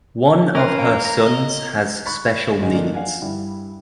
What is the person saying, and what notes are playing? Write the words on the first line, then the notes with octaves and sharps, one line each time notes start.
One of her sons has special needs.
C#4 A#4 B4 F5
A#3
A#5
D#5
B5 C#6 F#6 A6 B6
G1 G#2 D3 F#3 D#4 G#5
A3 A#3 D4 D#4 F4
D5 F5 F#5 G#5
G2 G3 E4